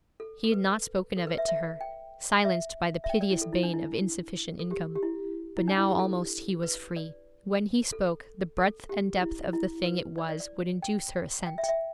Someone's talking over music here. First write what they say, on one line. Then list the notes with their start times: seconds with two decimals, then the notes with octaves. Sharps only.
He had not spoken of it to her, silenced by the piteous bane of insufficient income; but now almost he was free. When he spoke, the breadth and depth of the thing it was would induce her assent.
0.20 A4
0.44 A4
0.52 B4
1.17 A4
1.27 B4
1.38 E5
1.48 E5
1.81 G5
2.45 E5
3.04 E5
3.09 G5
3.21 D5
3.31 E4
3.42 A4
3.53 E4
3.63 D4
3.74 E4
4.59 A4
4.71 G4
4.96 G4
5.03 E4
5.57 E4
5.68 D4
5.78 E4
5.89 G4
5.99 A4
6.63 B4
6.96 D5
7.92 A4
8.57 A4
8.89 G4
9.21 E4
9.53 E4
9.86 B4
10.18 D5
10.29 D5
10.40 D5
10.82 G5
11.47 G5
11.58 E5
11.63 G5
11.68 E5